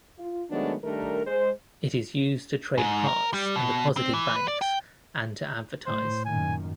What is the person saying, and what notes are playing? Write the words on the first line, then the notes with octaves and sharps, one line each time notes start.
It is used to trade parts and deposit in banks, and to advertise.
F4
D#3 F#3 G#3 A3 B3 D4
D#3 G3 A3 D4 A#4
G#3 C5
G#2
A#4
G3
B2
C4
E3
B4
D5
G5
A2 C5
F#2 A#2 D#3 G#5